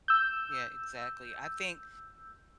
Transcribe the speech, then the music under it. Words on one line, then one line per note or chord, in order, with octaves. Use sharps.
Yeah, exactly. I think
E6 G6